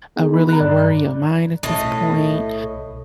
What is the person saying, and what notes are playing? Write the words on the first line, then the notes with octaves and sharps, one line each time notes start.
a really a worry of mine at this point."
B3 D#4 G#4
B5
A#5 F#6
G2 D5
B1 A2 D#5